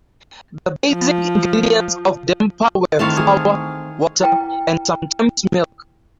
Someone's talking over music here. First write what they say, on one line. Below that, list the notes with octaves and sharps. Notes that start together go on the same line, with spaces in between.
The basic ingredients of damper were flour, water, and sometimes milk.
F3
D#3 E3 A3 C4 F5 A5 C#6 F6
G#4
E4 B4 G5 A#5